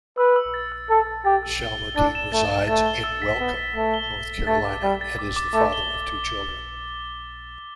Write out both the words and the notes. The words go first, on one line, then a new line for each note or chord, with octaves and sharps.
Shelmerdine resides in Welcome, North Carolina, and is the father of two children.
B4 E6
E6
A6
E6
A4 E6
E6
G4 A6
E6
G7
G7
D4 A6
E7
A3 A6
E7
A3 A6
G7
E6
B6
B3 E6
B6
A3 B6
G7
G7
G7
A3 A6
D6
G3 A6
A6
D6
D6
A3 D6
G7